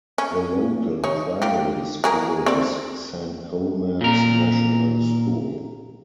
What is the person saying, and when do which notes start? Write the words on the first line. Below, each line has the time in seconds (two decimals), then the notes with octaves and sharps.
The local primary school is Saint Colman's National School.
0.18 C#4
1.04 D#4 C#5
1.42 F4 G4
2.04 F#3 G#4 A#4
2.46 C4 D5
4.01 A#2 A#4